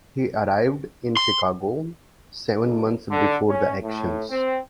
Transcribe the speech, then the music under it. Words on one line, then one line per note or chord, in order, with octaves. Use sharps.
He arrived in Chicago seven months before the actions.
C6
B1
D3
C#4
A2
C4